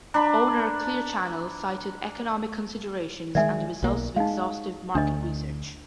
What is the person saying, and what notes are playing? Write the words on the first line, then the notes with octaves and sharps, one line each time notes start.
Owner Clear Channel cited economic considerations and the results of exhaustive market research.
D4 A#5 B5
D#3 G3 G#3 D5 E5 G#5
B1 A#3
G#3 D#4 F5
D2 D4 D#5